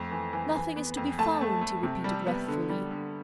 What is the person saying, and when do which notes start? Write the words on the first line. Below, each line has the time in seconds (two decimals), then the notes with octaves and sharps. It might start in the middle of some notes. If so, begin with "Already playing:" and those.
"Nothing is to be found!" he repeated wrathfully.
Already playing: F2 A3
0.11 E3
0.33 E3
0.55 E3
0.76 B3
0.97 F2
1.18 A3 A5
1.41 A3
1.61 A3
1.83 C3
2.04 G3
2.27 B3
2.48 D3
2.69 G3
2.91 D3